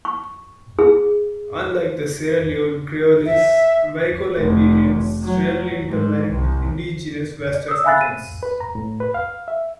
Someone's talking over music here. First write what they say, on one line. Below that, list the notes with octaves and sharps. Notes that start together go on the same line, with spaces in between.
Unlike the Sierra Leone Creoles, Americo-Liberians rarely intermarried with indigenous West Africans.
C#6
G#4
E5
F1
F#3
G#2
C2
D5
D#6 E6
E5 F5 G#5 B5 F#6 A6
D#7
B4
A#5
A2
B4
F5
E5